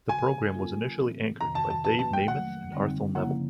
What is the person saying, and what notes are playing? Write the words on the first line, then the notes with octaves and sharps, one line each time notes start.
The program was initially anchored by Dave Nemeth and Arthel Neville.
C#3 F3 G#3 G#5
F#3 A#3 C#4 F4 A4
A2 E3 A3 C4
F2 C3 D#3 A#5
A5
A5
F3 A#3 C#4 F#4 B4 A5
A5
G5
D#3 F#3 A3 F#5
F#2 D3 G3 C4 D#4
C#3 F3 A#3 C#4 E4 F#5